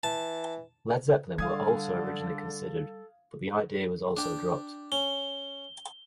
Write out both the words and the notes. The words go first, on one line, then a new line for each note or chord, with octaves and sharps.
Led Zeppelin were also originally considered but the idea was also dropped.
E3 A5
D3 G3 A4 F5 D#6 G#6
D4 G4
C#4 G7